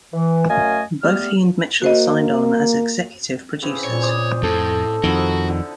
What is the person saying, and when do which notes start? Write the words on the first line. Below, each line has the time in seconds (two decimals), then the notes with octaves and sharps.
Both he and Mitchell signed on as executive producers.
0.14 E3
0.49 F#2 A3 D#5 F5 G#5
1.02 G3 A3 B3 F6
1.82 A#3 F#4 C5 D#5
3.62 C#3 E3 C4
3.84 A#2 C#5
4.02 C5 D#5 D6
4.43 F2 A2 A4
5.04 F2 D#3 F3 D#4 E4 F#4
5.48 D3 A4 A5